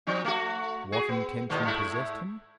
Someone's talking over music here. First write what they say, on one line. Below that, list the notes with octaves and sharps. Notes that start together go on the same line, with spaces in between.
What intention possessed him?
F3 C4 D#4
A3 F#4
F#4 G#4
B3
G#2 B2 D#3
G#2 A3 E4